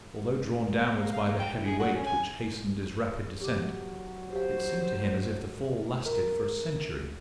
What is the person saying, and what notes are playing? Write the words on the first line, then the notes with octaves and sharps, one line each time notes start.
Although drawn downwards by the heavy weight which hastened his rapid descent, it seemed to him as if the fall lasted for a century.
A#3
F5
A#3
G5
E4
G#4
F#4
C#4
G#5
F#3 G4 D6
G4 C5 F5
A#4